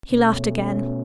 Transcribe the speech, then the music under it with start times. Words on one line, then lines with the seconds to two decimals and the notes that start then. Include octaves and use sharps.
He laughed again.
0.10 B2 A3 C#4